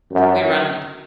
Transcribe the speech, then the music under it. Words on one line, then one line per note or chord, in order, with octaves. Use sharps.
We run
F#2